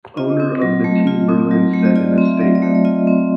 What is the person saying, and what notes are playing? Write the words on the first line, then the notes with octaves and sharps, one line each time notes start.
Owner of the team Berlin said in a statement.
F4 D#5
C4
F#3
A3
F4
C4
F#3
A3
D#5
F4 D5
C4
E5
F#3
D5
A3
D5
F4 D#5
C4